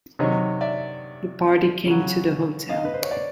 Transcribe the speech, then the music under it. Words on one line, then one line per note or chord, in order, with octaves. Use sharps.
The party came to the hotel.
C3 D#3 F#3 C#5 D#5
D5 E5
C#3 F#3
D#5 F5
B4
C5
C#5
C5 D5